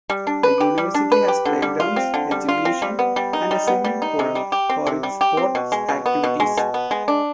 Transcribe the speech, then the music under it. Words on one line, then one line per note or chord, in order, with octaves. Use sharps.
The University has playgrounds, a gymnasium and a swimming pool for its sports activities.
G3
D4
B4
G4
G3
D4
B4
G4
D3
G3
F4
C4
D3
G3
F4
C4
G3
B3
G3
D#4
G3
B3
G3
D#4
C3
G3
G4
C4
C3
G3
G4
C4
B2
G#3
B2
B3
B2
G#3
B2
B3
G#3
D4